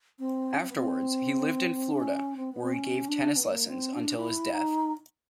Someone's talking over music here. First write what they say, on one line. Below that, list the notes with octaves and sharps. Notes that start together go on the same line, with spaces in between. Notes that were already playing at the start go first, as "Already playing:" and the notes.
Afterwards, he lived in Florida, where he gave tennis lessons until his death.
C4
C#4
C4
B3
C4
D4
C#4
C4
B3
C4
C#4
D4
B3
A#3
C4
D4
E4
D#4